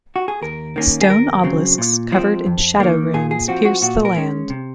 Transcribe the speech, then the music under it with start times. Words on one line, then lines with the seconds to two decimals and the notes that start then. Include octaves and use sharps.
Stone obelisks covered in Shadow Runes pierce the land.
0.16 F#4
0.28 G#4
0.42 D#2 A#4
0.76 D#3 A#3 C#4
1.01 G#4
1.10 D#2 A#4
1.43 C#3 F#3 C4
1.78 A#2
2.12 F3 G#3 C4
2.46 F2
2.80 D#3 A#3
3.14 A#2 G#4
3.31 G#4
3.48 F3 C4 F#4
3.65 F#4
3.82 A#2 F#4
4.05 A#4
4.16 G#3 C#4
4.50 C3